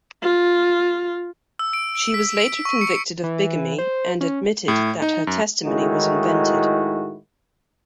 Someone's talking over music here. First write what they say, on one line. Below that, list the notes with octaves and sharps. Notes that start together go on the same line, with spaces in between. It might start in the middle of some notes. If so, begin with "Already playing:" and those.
She was later convicted of bigamy, and admitted that her testimony was invented.
F4
E6
D7
D7
B6
D7
C#6
C#7
E3
C5
C#4
A2
D#4
F#2
A2 D#3 G#3 D#4 E4 F#4